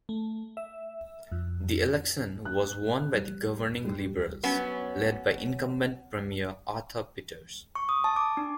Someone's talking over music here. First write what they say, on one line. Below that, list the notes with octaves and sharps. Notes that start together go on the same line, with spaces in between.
The election was won by the governing Liberals, led by incumbent Premier Arthur Peters.
A3
E5
F2
F#6
G3
G3
F#3 B3 C#4
C#6
D#6
A5
D6
D4